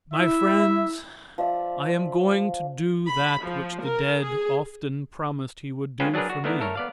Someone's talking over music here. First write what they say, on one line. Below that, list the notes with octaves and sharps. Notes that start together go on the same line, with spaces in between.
My Friends: I am going to do that which the dead often promised he would do for me.
E4 E5
F3 D5 E5
B5
F3
A#4
G#4
G#3 C#4 F4 B4 C5 G5
F#3 D4 G#4 A#4 B4
F#4
D#3 A3 B3 D4 E4 A#4
A3 A4 A#4 C#5
B3 D5 F5